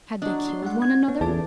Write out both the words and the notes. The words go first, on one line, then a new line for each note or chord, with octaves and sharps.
Had they killed one another?
F#3 D4 D#5
C6
G#3 F#5
F#5 G#6
B3 C#4
E2 A4 D5 A5 D6